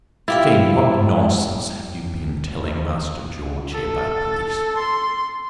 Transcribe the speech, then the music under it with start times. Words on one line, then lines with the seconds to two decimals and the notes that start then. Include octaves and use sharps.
"Jane, what nonsense have you been telling Master Georgie about policemen?"
0.28 E4 F4 G4 E5
3.73 A4
4.78 C6